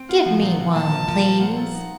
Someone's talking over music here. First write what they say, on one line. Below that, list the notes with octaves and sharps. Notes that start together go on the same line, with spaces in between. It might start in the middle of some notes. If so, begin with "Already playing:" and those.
"Give me one, please."
Already playing: C4
F4 F#5
F3
A#2
A#2
A#2 A5
F3
F3
F3
A#3 F#5
A4
D#4